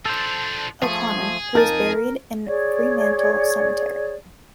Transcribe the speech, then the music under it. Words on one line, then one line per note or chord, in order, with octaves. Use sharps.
O'Connor, who is buried in Fremantle Cemetery.
F3 D4 A4 C5
F3 A3 G#4
F2 D#4 A#4 A5
G#4 C#5 D5